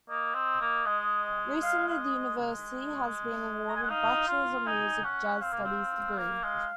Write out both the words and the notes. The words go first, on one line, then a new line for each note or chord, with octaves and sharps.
Recently the university has been awarded a bachelors in music- jazz studies degree.
A#3 D#5
C4
A#3
G#3
F5
F5
D#5
G#3
A#5
G#5
F#5
D#4 F5
F4
D#4 G#5
C#4 F#5
C4 F5
A#3
C4
A#3
G#3